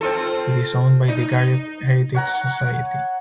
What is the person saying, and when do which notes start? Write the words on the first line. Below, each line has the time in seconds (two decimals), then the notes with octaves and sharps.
It is owned by the Garioch Heritage Society.
0.01 C4 F4 A4
1.08 D#4
2.14 C#5 F#5 A#5